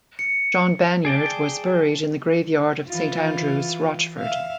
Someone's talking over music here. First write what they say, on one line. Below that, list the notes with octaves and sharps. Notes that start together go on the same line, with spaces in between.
John Banyard was buried in the graveyard of Saint Andrew's, Rochford.
C#7
G#4 D5 G5 A5
E3 F4
E5 F5